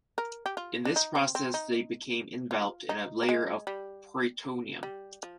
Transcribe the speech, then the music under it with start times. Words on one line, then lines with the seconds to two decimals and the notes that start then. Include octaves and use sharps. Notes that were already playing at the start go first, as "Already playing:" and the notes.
In this process they become enveloped in a layer of peritoneum.
0.18 A#4
0.46 G4
0.57 F4
0.85 D4
0.96 D#4
1.15 C4
1.35 C4
1.54 D#4
2.51 F4
2.89 D#4
3.23 A#3
3.29 G#3
3.67 G3
4.83 G3
5.23 F3